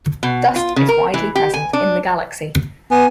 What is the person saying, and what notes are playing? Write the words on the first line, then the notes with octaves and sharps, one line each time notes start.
Dust is widely present in the galaxy.
B2
F4
C#3
A#4
E3
G4
G#5
D4
B3 G#5